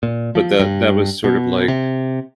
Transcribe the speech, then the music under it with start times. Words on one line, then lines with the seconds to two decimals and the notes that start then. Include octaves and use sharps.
but the that was sort of like,
0.03 A#2
0.35 F3
0.60 G2
1.24 B2
1.68 C3